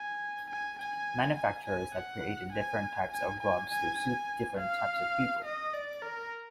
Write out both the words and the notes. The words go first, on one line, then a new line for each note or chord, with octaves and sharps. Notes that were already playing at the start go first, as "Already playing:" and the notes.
Manufacturers have created different types of gloves to suit different types of people.
Already playing: G#5
G#5
G#5
G#5
G#5
F#5
G#5
G#5
G#5
G#5
G#5
F5
D#5
D5
A#4